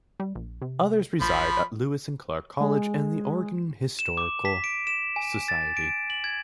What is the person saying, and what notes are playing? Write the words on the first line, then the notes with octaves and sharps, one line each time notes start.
Others reside at Lewis and Clark College and the Oregon Historical Society.
G3
A#1
C3
A#1 F3 B5
G#3
E7
D6
B6
D7
E7
G#5
A6
D7
F#7
G#6